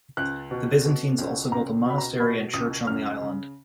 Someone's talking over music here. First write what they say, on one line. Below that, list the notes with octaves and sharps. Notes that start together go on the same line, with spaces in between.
The Byzantines also built a monastery and church on the island.
C#2 F#6
B2
B2
C#2
C#2 A#5
B2 B5
A#5
B2 B5
C#2 D#6
F#2 F6
C#3